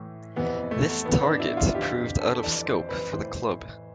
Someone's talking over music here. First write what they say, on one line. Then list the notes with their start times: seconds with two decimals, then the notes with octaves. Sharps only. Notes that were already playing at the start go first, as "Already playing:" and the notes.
This target proved out of scope for the club.
Already playing: A2 E3
0.36 F2 C3 E3 B3
0.71 A3
1.05 A2 E3 B3
1.23 D4
1.40 E4
1.57 F4
1.74 F2 D3 G4
2.20 A4
2.43 F2 E3 D5
2.66 C5
2.89 B4
3.12 A2 E3 C5